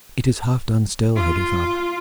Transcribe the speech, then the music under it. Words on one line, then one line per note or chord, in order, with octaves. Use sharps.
"It is half done still, holy father."
F4